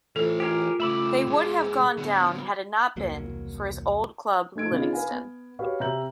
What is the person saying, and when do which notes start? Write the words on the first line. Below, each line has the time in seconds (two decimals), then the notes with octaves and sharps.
They would have gone down had it not been, for his old club Livingston.
0.16 E3 A3 F4 A4 C5
0.40 F4 G4 G#4 A#4
0.80 C#3 A3 E5 B5 D6
1.27 B2 G#3 G#4
1.97 D3 F#3 B3
2.96 E1 C2 F#3 A#3
4.55 A3 D#4 G#6 D7
4.71 C#3 B3 D4 D#4 F4
4.93 B4 F5 G#5
5.11 B3
5.59 F#4 G4 B4 C#5 F5
5.80 C3 E5 A#5 G6 F#7